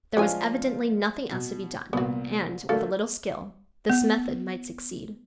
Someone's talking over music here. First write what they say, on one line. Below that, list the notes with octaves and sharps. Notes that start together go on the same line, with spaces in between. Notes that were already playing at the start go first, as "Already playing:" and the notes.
There was evidently nothing else to be done, and, with a little skill, this method might succeed.
F3 G#3 C#4 D4 F4 G#5
B2
C2 A#2 B3 F#4
D3 A3 A#3 F#4 A4 F5
B3